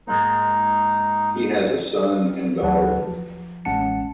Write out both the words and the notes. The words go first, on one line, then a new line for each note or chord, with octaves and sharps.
He has a son and daughter.
G#2 G#3 A#3 D#4
D2 F#3 B4 F#5 A5
F3
A1 G#3 C#4 F#5 A5 C#7